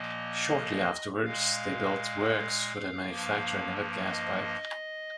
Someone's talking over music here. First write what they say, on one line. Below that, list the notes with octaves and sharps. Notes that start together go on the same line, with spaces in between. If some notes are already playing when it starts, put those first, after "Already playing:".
Shortly afterwards, they built works for the manufacturing of a gas pipe.
Already playing: A#2 F3 A#3 D#5
A#2 G#3 F5
G2 F3 A#3
D#5